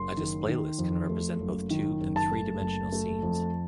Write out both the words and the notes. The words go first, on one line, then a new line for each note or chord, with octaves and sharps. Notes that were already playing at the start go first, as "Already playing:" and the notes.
A display list can represent both two- and three-dimensional scenes.
Already playing: F#1 C6
D#3
D#3
F2
A3
F#1
D#3
F#1
A5
A3
F#1
A3
F2